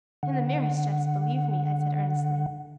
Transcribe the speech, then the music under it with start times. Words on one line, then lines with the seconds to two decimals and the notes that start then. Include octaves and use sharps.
"In the merest jest, believe me!" I said earnestly.
0.23 D3 F#5